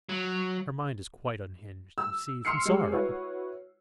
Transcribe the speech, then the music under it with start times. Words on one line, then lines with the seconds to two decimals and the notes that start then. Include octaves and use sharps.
Her mind is quite unhinged, you see... from sorrow.
0.09 F#3
1.98 E6
2.45 C6 E6 F6 C7 C#7
2.65 G#3 G4 G#4
2.92 E4 F#4 B4 C#5